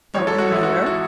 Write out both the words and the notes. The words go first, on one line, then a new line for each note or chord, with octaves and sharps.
No one near.
A1 G#2 E3 C#5
A4
F#4
A1 G#2 E3 E4
F#4
E4
E3 F#4